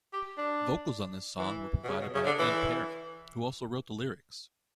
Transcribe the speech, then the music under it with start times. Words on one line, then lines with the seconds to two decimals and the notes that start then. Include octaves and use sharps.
Vocals on this song were provided by Ian Parry, who also wrote the lyrics.
0.13 G4
0.38 D4
1.38 E3
1.84 B2
1.89 C#3
2.01 B2
2.14 C#3
2.26 D3
2.39 E3